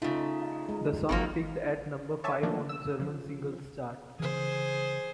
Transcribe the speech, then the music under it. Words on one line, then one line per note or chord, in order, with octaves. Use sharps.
The song peaked at number five on the German Singles Chart.
C#3 A3 D#4 F4
G#3
G#1 D#3 F#3 A#3
C#5 D5 E5 G#5 A5
D#3 F3 F#3 A3 A#3 D4
E6
C#3 F3
C#3 E3 G#4 C5